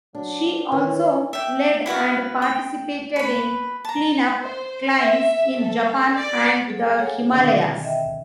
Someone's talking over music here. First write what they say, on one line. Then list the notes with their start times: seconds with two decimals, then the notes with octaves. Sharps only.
She also led and participated in "clean-up" climbs in Japan and the Himalayas.
0.15 F#3 D4
0.72 D#3 E3 C#5
1.33 E5 G5
1.86 E4 F#4 B4 F5
2.42 G5
3.16 B4 B5
3.85 A5 A#5
4.41 C5
4.99 E5
5.61 A4
6.14 D5
6.67 G#4 A4
6.99 G#4 A4 C#5 F5 F#5 G#5
7.32 B2 D3 D#3 C4 D4
7.84 D#5 E5 G5